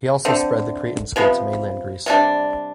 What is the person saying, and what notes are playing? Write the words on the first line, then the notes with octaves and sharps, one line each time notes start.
He also spread the Cretan School to mainland Greece.
D3 A3 C4
C3 F3 B3
C3 G3 D4